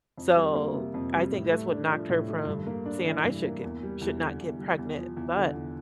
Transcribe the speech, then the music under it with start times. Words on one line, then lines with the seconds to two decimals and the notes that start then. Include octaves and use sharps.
So, I think that's what knocked her from saying, "I should get should not get pregnant." But
0.18 F2
0.36 G3
0.55 A#3
0.74 C3
0.94 F2
1.13 G3
1.32 A2
1.51 A3
1.71 D4
1.90 F3
2.09 A2
2.29 A3
2.47 G2
2.66 A#3
2.85 D4
3.06 E3
3.24 G2
3.44 A#3
3.64 E2
3.83 G3
4.01 E2
4.20 D3
4.40 E2
4.59 G3
4.78 E2
4.98 F3
5.17 E2
5.37 D3
5.55 E2